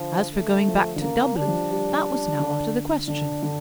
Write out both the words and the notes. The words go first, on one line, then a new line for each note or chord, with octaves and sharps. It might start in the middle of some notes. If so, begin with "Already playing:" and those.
As for going back to Dublin, that was now out of the question.
Already playing: D3 F3
A3
F3
D3
C#3 A#3
G3 D4
F3
G3
D3
D3 D4
D3